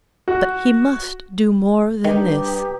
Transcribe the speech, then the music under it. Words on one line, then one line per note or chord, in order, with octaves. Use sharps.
But he must do more than this.
F#4
G2 D#3 G4 B4 A#5 D#6